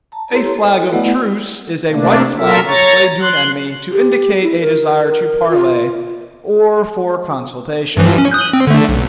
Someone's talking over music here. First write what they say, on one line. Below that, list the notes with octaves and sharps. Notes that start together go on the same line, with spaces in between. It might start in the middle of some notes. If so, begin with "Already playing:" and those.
A "flag of truce" is a white flag displayed to an enemy to indicate a desire to parley or for consultation.
A5 A#5
E4 G4 A4 C#5 A#5 C6
A4 C5 D#5
E4 F#4 A4 B4 E5
A3 B3 E4 B4 D5 F#5
C3 A3 A#3 D4
F#3 F4 A4 A#4 E5
C#5 A#5 C#6 A6
C6 F#6
G4
E4
A#4
F4
G2 E3 F3
C#4
D#6 F#6 G6
C4
D3 A3
B1